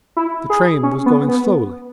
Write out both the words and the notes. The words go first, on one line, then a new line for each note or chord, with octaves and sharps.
The train was going slowly.
E4
G#4
C#4
B3
B3